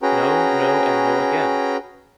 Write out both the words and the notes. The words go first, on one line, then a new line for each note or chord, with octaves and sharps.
No, no and no again!
C#4 F#4 G#4 B4 G5 A#5